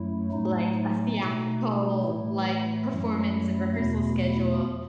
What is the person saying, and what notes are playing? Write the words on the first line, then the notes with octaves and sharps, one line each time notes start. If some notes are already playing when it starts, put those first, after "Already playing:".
like, a theatrical, like, performance and rehearsal schedule,
Already playing: F#2 F#3 A3 E4
A2 F#3 A3 D#4
D#4
B2 A3
A2 E3 A3 E4
F#2 F#3 A3
E2 B2 A3